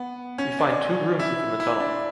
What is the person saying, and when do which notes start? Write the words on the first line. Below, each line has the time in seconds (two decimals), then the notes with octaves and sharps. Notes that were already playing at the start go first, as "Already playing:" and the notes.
We find two rooms within the tunnel.
Already playing: B3
0.38 C#4
0.59 D4
1.19 E4
1.60 E4
1.80 D4